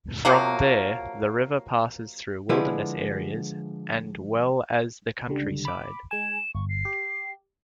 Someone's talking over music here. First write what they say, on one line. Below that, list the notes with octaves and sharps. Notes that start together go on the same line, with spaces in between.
From there, the river passes through wilderness areas and well as the countryside.
C3 F3 F#3 A#3
D3 F3 G#3 E4 G#4 B4
C#2 D3 G3
B5 D6
G#3 G#5 E7
G1 C#6
C7
G4